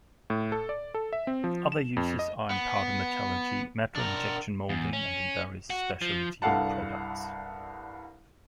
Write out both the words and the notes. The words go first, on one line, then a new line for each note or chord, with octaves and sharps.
Other uses are in powder metallurgy, metal injection molding, and in various specialty products.
A2
A4
D5
A4
E5
C4
F3
E7
F2
D#5
B3
D4 A#4
E2
C#4
F#4
F3
C2 G2 A4 F5 F#5 A5